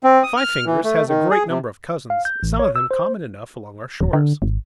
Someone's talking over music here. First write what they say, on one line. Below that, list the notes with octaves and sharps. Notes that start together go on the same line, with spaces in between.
Five-fingers has a great number of cousins, some of them common enough along our shores.
C4
D#6
F6
E3
A3
D#3
G#4
C3
F5
G6
A1
C#5
E6
C5
D#1
D3
G#1